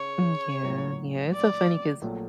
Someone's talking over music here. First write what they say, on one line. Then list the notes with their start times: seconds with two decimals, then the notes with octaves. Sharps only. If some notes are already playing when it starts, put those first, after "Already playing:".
Mm, yeah, yeah, it's so funny 'cause
Already playing: C#3 C#4 C#5
0.63 A#1 A2 F#3
1.33 D5
2.02 A#1 A#2 F#3 A3